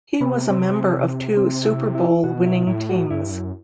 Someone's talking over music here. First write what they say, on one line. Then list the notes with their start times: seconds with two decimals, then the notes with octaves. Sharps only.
He was a member of two Super Bowl-winning teams.
0.21 C3 B3
0.50 C3 C4
1.37 C4
1.66 E4
1.95 E4
2.24 B2 F#4
2.46 E4
2.67 A2 E4
2.89 F#4
3.10 G2 E4
3.32 F#2